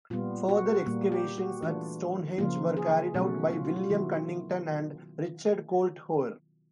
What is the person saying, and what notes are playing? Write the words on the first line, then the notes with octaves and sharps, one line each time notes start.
Further excavations at Stonehenge were carried out by William Cunnington and Richard Colt Hoare.
A#2 G3 B3 F4
F#4
A#2 G3 A#3
G4
F#4
E3 A3 D4 F4
C#3 F3 A#3 F4
G#4
B2 F#3 A3 C#4 F#4
F4
F#4
F4
D#3 F#3 B3 E4